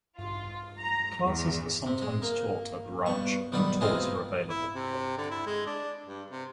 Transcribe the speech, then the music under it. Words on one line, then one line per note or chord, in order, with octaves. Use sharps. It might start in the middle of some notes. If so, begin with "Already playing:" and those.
Classes are sometimes taught at the ranch and tours are available.
F4
A#5
E2
C3
G#3
A#3
G2 B2 C#6
B1 D#3 G3 F#5 B5
B2 E3 G#3 C4 D#4 F4
E4
C3
D3
E4
G#3
D4
G2
C3